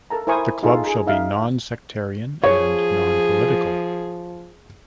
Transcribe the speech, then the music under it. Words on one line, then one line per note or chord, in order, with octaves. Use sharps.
The club shall be non-sectarian and non-political.
A4 A#4 A5 A#5
E4 A#4 C5 G#5 C#6 D#6
D#4 F4 G#4 A4
G#4 A#5
D#4 E5 F5
F3 G#4 C#5